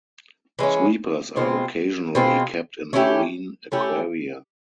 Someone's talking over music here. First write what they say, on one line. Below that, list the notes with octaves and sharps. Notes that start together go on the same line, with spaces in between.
Sweepers are occasionally kept in marine aquaria.
E3 G#3 C#4
B2 G#3 C4 F4
B2 G#3 C4 F4
A3 C#4 E4 G4
A3 C#4 E4 G4